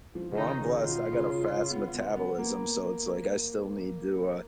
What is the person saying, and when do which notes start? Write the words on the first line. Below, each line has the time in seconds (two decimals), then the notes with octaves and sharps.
Well, I'm blessed, I got a fast metabolism, so it's like I still need to, uh
0.15 F3
0.31 C#3
0.37 D#3 D#4
0.60 C#3
0.82 B2 F4
1.12 C#3
1.42 C#3
1.71 B3
1.94 B3
2.16 B3
2.38 A#3